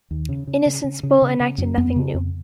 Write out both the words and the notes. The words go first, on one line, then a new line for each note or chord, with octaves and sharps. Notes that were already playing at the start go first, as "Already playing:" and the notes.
Innocent's Bull enacted nothing new.
D#2
C#3
C#3
C#3
C#3
C#3
C#3
C#3
F#2
F2 B3
C#3
F2